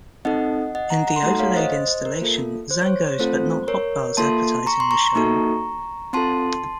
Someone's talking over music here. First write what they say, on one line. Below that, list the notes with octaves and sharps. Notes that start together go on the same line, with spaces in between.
In the overlaid installation, Zango's but not Hotbar's, advertising was shown.
C4 D#4 A4 D#5 F#5
D#5 F#5
F#5 A#5
F#5 A#5
C6
A3 D#4 F#4 A4 F#5 A#5
F#5
C#5 F5
C5 D#5
C5 D#5
C5
A#4
A#3 F4 A4
C5
C#5
C5
A3 C4 F4 A4 C5
A#4 C#5
A#3 F4 A4 A5 C6
A#5 C#6
C6
A#5 C#6
A#3 D#4 F#4 A4
C4 F4 A4 A5 C6